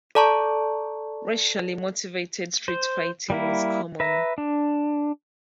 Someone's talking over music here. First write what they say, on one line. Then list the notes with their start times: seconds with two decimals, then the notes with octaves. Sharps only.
Racially motivated street fighting was common.
0.15 A4 D5 A5 A#5 C#6
2.68 C5
3.30 G3 A#3 E4
4.00 B4 E5 A#5
4.38 D4